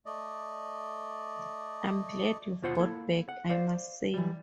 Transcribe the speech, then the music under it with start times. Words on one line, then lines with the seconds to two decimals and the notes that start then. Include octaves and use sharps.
I’m glad you’ve got back, I must say.
0.06 A3 D5 D#5
2.62 D#2 B2 F4 C5 F#5 C6
2.79 A#3 E4 A4
3.29 F#5
3.49 C5 D5 F5
4.14 E3 G3